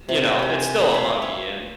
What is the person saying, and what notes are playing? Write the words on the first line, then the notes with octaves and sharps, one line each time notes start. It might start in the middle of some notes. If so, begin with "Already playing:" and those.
you know, it's still a monkey, and,
C3
G4 G#5
C4 C#5 E5 F5
C#5